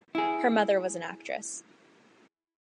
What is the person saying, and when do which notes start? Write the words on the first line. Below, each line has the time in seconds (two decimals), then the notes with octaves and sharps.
Her mother was an actress.
0.15 E4 G#4